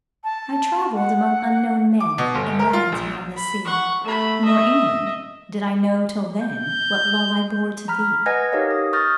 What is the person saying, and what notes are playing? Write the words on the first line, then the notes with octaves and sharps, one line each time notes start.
I travell'd among unknown men In lands beyond the sea; Nor, England! did I know till then What love I bore to thee.
A5
F#5
D6
B2
G1
A#4
F4
A#1
B5
F#5 C#6
A3 B5
D#5 E5
G6
A#5 B5 F6 B6
B4 D#5 F#5 G#5 G#6 A#6
D#4 G4 A#4 C#5 D#5 F5
D#6
C#6 D#6 F6 G6 A6 A#6